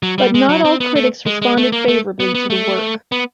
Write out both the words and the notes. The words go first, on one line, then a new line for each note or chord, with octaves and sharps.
But not all critics responded favourably to the work.
F#3
G3
G#3
F#3
C4
B3
A3
G#3
G#3
A3
A#3
A3
B3
B3
A3
B3